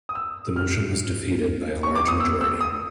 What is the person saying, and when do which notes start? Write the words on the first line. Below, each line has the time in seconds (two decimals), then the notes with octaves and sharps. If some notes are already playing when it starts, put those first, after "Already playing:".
The motion was defeated by a large majority.
0.09 D#6
0.15 E6
0.56 F6
1.83 C#6
1.95 D6
2.08 D#6
2.20 E6
2.41 E6
2.61 D#6